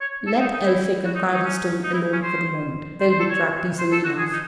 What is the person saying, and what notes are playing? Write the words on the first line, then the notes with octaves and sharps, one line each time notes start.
Let Elphick and Cardlestone alone for the moment--they'll be tracked easily enough.
C#5
A4
D#4
D#4
E4
F#4
D#4
D#4
C#4
D#4
E4
C#4
C5
C5
C5
A4
C#5
C5
A4
F#4
G#4
D#4